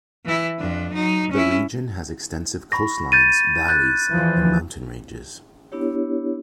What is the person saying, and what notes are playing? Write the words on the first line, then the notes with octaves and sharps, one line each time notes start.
The region has extensive coastlines, valleys and mountain ranges.
E3 E4
F2 D4
F#3 D#4
C#4 E4
B5 C#6 A#6
G6 A6 D#7
F#6 G6 A6
E2 E3 F3
B3 D4 E4 G4 C#5